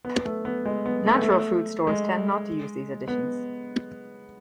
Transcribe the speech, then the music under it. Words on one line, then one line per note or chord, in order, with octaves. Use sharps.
Natural food stores tend not to use these additions.
B3
B3
A3
B3
G#3
B3
A3
B3
A3
G#3
B3